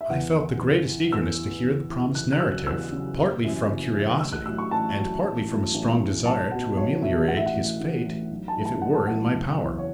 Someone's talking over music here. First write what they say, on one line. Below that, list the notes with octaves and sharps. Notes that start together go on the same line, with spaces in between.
I felt the greatest eagerness to hear the promised narrative, partly from curiosity and partly from a strong desire to ameliorate his fate if it were in my power.
E5
E2 F#5
E3
E2
E3
E2 E6
E3
E2
E3
E2 F#6
F#6
C#3 F#3 E6
E2 E6
C#3 F#3
F#1
F#2 E3
F#1
E3
F#2
A1 E6
F#6
A2 F#3 E6
C#6
A1 A5
A2 F#3
A1
A2 F#3
A1
A2 F#3
B1 A5
B2 F#3 F#5
B1 C#5
B2 F#3 E5
A1 F#5
E5
F#5
A2 E3
A1
A2 E3
B1
A5
A2 E3
A5
B1 F#5
A5
A2 E3 F#5
F#1
E2 E3
C#5